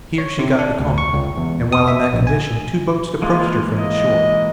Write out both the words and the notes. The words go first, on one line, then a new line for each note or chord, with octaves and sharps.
Here she got becalmed, and while in that condition two boats approached her from the shore.
C#5
C3
D4
D2
C#6
C#2
E2
D#6
E5
A#1
G#5
E3 G#3 A#3 F4
D#5